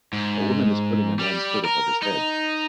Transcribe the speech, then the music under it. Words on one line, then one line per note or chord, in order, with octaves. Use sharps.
A woman is putting a man 's foot above his head.
G#2
G3
A#4
D#4